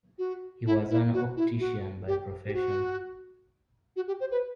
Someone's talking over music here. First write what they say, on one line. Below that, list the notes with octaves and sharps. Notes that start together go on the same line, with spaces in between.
He was an optician by profession.
F#4
E4
E4
F#4
E4
F#4
G4
G4
F#4
F#4
G4
C5
B4